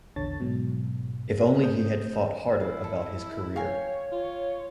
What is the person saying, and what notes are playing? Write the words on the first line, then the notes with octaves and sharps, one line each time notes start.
If only he had thought harder about his career.
A#1 E2 D3 C#5 A5 A6
G#2 B2 F#3
A3 A4 C5 D#6 G6
E4 F5
A4
C#5 F5 G5 G#5
F4